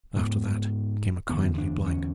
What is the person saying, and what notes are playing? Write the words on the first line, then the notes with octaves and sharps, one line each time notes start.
After that came a kindly blank.
G#2 B3
E2 D3 B3
D4
C#4